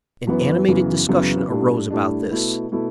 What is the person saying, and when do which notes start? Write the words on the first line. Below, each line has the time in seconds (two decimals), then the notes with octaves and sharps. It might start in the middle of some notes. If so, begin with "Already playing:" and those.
An animated discussion arose about this.
0.27 F#2 E3 B3 E4
0.68 F#2 C#3 E3 B3
1.09 F#2 C#3 E3 B3
1.50 A2 G3 D4
1.90 A2 G3 D4
2.31 B2 A3 E4
2.72 B2 A3 E4